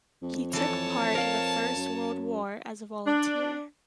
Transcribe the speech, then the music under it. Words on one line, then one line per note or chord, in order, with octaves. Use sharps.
He took part in the First World War as a volunteer.
F2
E3 A4 C#5 A5
A#4 F5
F#2
D4